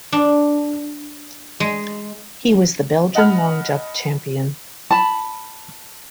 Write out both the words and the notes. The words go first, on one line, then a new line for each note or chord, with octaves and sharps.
He was the Belgian long jump champion.
D4
G#3
D#5 F#5 A5 B5 F6
A5 B5